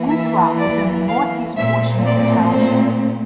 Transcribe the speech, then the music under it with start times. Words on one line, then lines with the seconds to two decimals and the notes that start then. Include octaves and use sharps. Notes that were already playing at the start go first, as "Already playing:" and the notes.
Winthrop is in the northeast portion of the township.
Already playing: E3 A#3
0.10 E5
0.58 D5
1.08 F5
1.56 A#2 A3 C4 E5
2.06 D5
2.54 C5